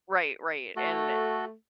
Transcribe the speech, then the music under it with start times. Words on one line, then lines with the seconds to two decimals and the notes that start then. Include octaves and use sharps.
Right, right, and le
0.77 A3 F#4 A4